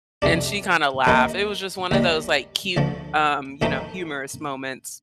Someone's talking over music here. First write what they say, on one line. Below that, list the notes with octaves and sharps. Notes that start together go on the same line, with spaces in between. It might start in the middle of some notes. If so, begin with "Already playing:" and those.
And she kinda laughed. It was just one of those, like, cute, um, you know, humorous moments.
F2 C3 G3 D4
D#2 D#3 A#3 D#4
D#2 D#3 G3
D2 D3 F3
F2 D#3 A3 C4 D#4